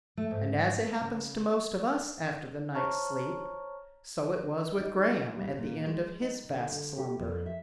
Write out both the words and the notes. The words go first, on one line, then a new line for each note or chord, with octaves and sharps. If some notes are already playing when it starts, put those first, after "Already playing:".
And as it happens to most of us after the night's sleep, so it was with Graham at the end of his vast slumber.
A3
G#2
A4
C#3
C5 C#5 A5 A#5 C#6 F6
D#4
C#4
G3
A#2
G#3
D#4
D3
D3
G4
F2
E5